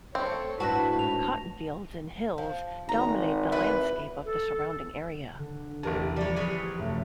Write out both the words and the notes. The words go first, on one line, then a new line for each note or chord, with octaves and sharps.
Cotton fields and hills dominate the landscape of the surrounding area.
C4 A4 C#5
A2 D4 E4 F#4 B4 A5 A#6
G#2 F7
F3
G#1 A#5
E4 B4
A4
D3
A1 E2 C3 A#4 A5
F3 G3 C#5 D5
G#4 B4 C#5 G#5
F1 F#2 A3